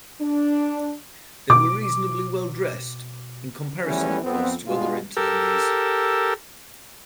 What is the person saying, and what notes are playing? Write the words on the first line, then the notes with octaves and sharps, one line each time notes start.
They were reasonably well dressed; in comparison, of course, to other internees.
D4
B2 D6
E2 E3 F3 G3 A3 C#4
F2 B3 C4
G2 B2 G#3 F4
G4 A4 A#4 E6